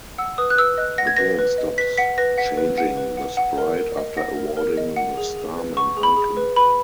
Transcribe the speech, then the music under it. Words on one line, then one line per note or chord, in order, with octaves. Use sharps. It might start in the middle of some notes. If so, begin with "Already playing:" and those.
The game stops changing the sprite after awarding the starman icon.
F#5 E6
B4 D#6
F#6
B4 E6
D#5 F#6
F#5 A#6
G#6
B4 A#6
B4
D#5
B4 B6
F#5 B6
B4 A#6
F#5 B6
B4
F#5
B4
F#5
F#5
A#4
A#4
D#5
F#5 A#6
A#4
A#4
D#5
F#5
G#4
G#4
B4
F#5 C#6
G#4
B5
G#4
B4
B4 B5